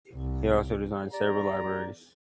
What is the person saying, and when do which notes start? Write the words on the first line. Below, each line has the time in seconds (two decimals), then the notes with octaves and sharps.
He also designed several libraries.
0.14 C2
1.12 G4 D5 A#5